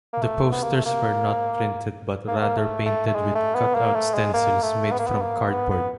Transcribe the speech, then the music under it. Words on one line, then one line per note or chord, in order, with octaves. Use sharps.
The posters were not printed but rather painted with cut-out stencils made from cardboard.
A#3
A3
B3
A#3
A3
A#3
A#3
A3
A#3
A3
A3
A3
G#3
A3
B3
A#3
A3
G#3
A#3
A3
B3
A#3
B3
A#3
B3
B3